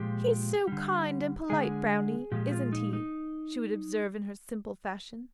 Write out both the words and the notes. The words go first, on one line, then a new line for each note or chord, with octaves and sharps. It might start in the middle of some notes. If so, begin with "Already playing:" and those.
'He's so kind and polite, Brownie, isn't he?' she would observe in her simple fashion.
Already playing: A#2 F3 G#3 G4
D3 G3
D3 G#3 G#4
A#2 F3 G#3 G4
F4
D#4
D#4